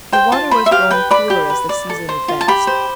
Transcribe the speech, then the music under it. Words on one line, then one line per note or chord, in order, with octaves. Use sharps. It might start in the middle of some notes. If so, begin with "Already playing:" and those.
The water was growing cooler as the season advanced.
C5 G5
F4 A5
C5 B5
E5
G4 F5
B4 G5
D5 B5
G4
B4
D5
A4
C5
F4
A5
G4 B5
C5